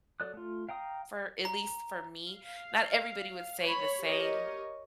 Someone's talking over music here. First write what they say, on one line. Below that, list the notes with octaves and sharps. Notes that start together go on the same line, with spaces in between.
for at least for me. Not everybody would say the same
F#3 A4 D5 D#6 F#6
A3 F4
F5 G5 A#5 D#6
A#5
F5
C#5 B5
G4 A#4 C#5 D#5